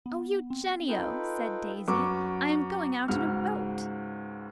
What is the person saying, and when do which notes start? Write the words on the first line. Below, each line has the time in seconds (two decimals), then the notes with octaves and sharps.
"Oh, Eugenio," said Daisy, "I am going out in a boat!"
0.06 B3
0.50 C4
0.88 D#4 F4 A4 B4 G5
1.88 F#2 F#4 B4 C#6 D6
3.08 C#2 G#2 F#4 F6